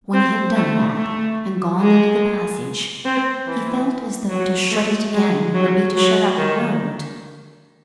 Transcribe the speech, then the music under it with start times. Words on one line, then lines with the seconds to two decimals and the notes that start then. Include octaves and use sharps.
When he had done that, and gone into the passage, he felt as though to shut it again would be to shut out the world.
0.14 C4
0.55 A3
0.97 A3
1.80 G#3
3.05 C4
3.46 E3
4.29 F#3
4.71 A3
5.13 G#3
5.54 F#3
5.96 F#3
6.38 D#3